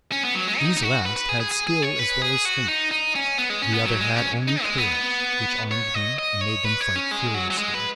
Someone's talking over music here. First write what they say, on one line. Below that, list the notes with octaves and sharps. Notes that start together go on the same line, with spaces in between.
These last had skill as well as strength; the other had only courage, which armed them, and made them fight furiously.
C#4
B3
F#3
G#3
D#4
D#4
F#4
B4
B4
G#4
G#4
G#4
G#4
C#5
B4
G#4
F#4
D#4
D#4
C#4
B3
G#3
C#4
B3
F#3
G#3
C#4
D#4
G#3
B3
C#5
D#5
D#5
C#5
B4
C#5
C#4
G#3
F#3
F#3
G#3
B4